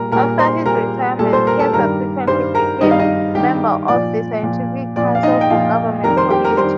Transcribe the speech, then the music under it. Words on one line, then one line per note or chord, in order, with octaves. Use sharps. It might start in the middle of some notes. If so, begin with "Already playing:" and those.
After his retirement Teer subsequently became member of the Scientific Council for Government Policy.
Already playing: A#2 G3 A#4 A#5
A#2 G3 A#4 A#5
C5 C6
A#2 G3 A#4 A#5
A#2 G3 A4 A5
C5 C6
A#4 A#5
A4 A5
G2 D#3 G3 A#4 A#5
G2 D#3 G3 C5 C6
A#4 A#5
G2 D#3 G3 D#4 D#5
F5
D#4 D#5
G2 D#3 G3 G4 G5
A#2 F3 D5
A#2 F3
A#2 F3 D5
F5
D#4 D#5
G5
A#2 F3 F4 F5
F2 D#3 G3 A#4 A#5
C5 C6
G4 G5
A#4 A#5
D#3 G3 C5 C6